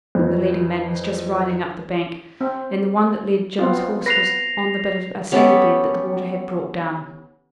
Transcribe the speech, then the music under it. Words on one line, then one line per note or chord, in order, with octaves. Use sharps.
The leading man was just riding up the bank, and the one that led Jim's horse was on the bit of a sand bed that the water had brought down.
F2 E3
C4
B3 C4 F4
B4 A#6 C7 F7
B3 C#4 G4 A4